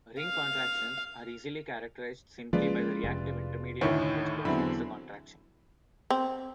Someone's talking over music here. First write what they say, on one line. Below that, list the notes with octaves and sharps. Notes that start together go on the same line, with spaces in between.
Ring contractions are easily characterized simply by the reactive intermediate which performs the contraction.
F5
C#3 F3 G#3 A#3 F4 B4 D5
F1
D2 A2 D3 D#3 E4 C#5
E2 D3 F#3 C4 E4 B5
C4